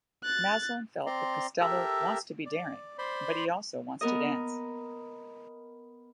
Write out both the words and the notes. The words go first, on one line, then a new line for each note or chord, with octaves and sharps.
Maslin felt that Costello "wants to be daring, but he also wants to dance".
F#6 A6
C4 D5 A#5 C6
G4 A4 A#4 E5
D5
C5 D5 B5 C6
B3 A#4 D#5